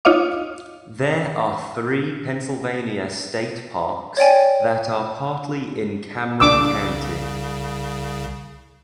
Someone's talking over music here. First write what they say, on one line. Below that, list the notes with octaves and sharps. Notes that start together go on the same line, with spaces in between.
There are three Pennsylvania state parks that are partly in Cameron County.
D#4 F4 C#5 D#5 F5 D6
C#5 D5 G5 G#5
C2 C#3 D4 D6 E6